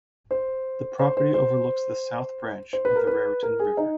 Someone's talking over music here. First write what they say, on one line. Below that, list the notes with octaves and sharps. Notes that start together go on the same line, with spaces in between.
The property overlooks the South Branch of the Raritan River.
C5
C5
C5
C5
C5
B4
A#4
B4
A#4
G#4
D#4